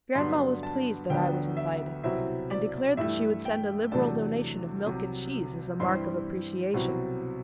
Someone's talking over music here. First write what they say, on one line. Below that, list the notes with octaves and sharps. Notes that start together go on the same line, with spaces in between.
Grandma was pleased that I was invited, and declared that she would send a liberal donation of milk and cheese as a mark of appreciation.
G2 D3 F#3 B3 D4 C6
A5
D2 D3 F#3 B3 D4 G5
E5
C2 B2 F#3 C4 E4 E5
D5
G2 E3 A3 E4 E5
G5
E2 C3 F#3 A3 D4 A5
C2 C3 F#3
G2 E3 G3 C4 E4 C6
C2 B2 F#3 C4 E4